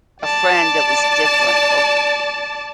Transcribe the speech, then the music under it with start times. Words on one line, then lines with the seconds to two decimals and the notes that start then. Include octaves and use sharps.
a friend that was different or f
0.22 D5 A5